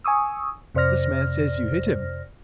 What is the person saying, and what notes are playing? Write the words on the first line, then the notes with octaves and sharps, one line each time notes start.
'This man says you hit him.'
G#5 C#6 D#6 E6
F2 C3 C5 D5 F6 A#6